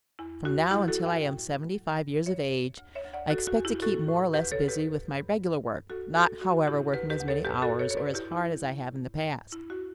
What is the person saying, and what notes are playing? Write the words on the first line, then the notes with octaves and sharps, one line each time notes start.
From now until I am seventy-five years of age, I expect to keep more or less busy with my regular work, not, however, working as many hours or as hard as I have in the past.
E2 E4
E2 F#4
F#3 E4 G4
F#4 A4
G2
E5 G5
A2
A2
F#3
G2
F#2 C#5 E5
F#2
D2
C#5 E5
D2
D5 F#5
E2 F#4 A4
F#4
E2
E4 G4
A2 F#4 A4
A2
D2 G4 B4
A4 C#5
D2
G4 B4
G2
G2
G2
G2
D2 F#4 A4
D2 F#4 A4
G3 F#4
A2 E4 G4
D2 G4 B4
G4 B4
D2
A4 C#5
G2 G4 B4
F#4 A4
G2
A4 C#5
C#5
F#2 B4 D5
E4 G4
F#2
E4
F#3
A2
G2
G2
D2 E4
F#4